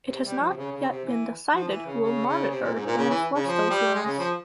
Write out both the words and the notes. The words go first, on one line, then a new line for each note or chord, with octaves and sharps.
It has not yet been decided who will monitor or enforce those laws.
C3
G3
F3
C3
C#3
C#3
C3
E3
F3
E3
C#3
C#3
C#3
C3
A#2
G#2
A#2
C#3
E3
C#3
F3
G3
G#3
C#3
F3